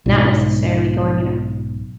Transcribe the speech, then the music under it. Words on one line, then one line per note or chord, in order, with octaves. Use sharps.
not necessarily going in a
B1 G#2